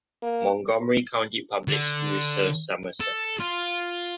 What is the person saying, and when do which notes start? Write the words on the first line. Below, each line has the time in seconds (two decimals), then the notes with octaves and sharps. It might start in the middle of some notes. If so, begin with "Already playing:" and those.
Montgomery County Public Schools serves Somerset.
0.22 A#3
1.68 D3
3.00 A4
3.39 F4